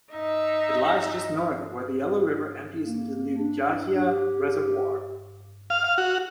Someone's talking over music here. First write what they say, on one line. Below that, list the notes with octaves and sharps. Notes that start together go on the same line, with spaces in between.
It lies just north of where the Yellow River empties into the Liujiaxia Reservoir.
D#4 E5
A#3
D4
G4
F5
F5
F#4